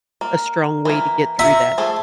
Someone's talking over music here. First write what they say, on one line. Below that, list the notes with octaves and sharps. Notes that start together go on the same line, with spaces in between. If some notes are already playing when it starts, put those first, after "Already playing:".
a strong way to get through that
A#3
E3 A#3
F4 E5 F#5 A#5
F3 A3 G#4